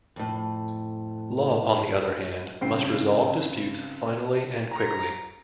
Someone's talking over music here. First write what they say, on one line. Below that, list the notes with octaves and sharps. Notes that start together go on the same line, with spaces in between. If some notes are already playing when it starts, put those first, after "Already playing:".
Law, on the other hand, must resolve disputes finally and quickly.
F2 A2
G2 C#3 C4 G5 C7
A#5